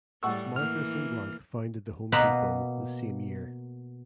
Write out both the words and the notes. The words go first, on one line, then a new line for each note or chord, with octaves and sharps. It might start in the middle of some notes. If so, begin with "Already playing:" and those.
Marcus and Blank founded The Home Depot the same year.
A2 G3 A3 F#5 C#6 E6
E3 A#3 F6
B2 A#3 B4 A#5 B5